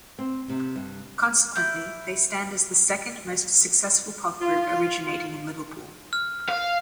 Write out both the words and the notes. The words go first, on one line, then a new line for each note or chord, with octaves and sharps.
Consequently, they stand as the second most successful pop group originating in Liverpool.
C4
C3
G2
E4 G6
F4
F4
F6
F5